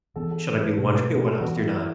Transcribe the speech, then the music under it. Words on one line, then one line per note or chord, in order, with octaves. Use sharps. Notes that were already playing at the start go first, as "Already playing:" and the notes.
should I be wondering what else you're not
E3 B3 D4 A4
A4
A4
B4
B2 A3 D4 A4
B4
B4
A4
E3 B3 D4 F#4
E4
E4